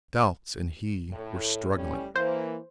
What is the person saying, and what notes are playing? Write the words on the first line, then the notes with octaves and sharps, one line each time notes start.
Doubts and he were struggling.
A2
A2 G3 C#4
E3 A#3 C5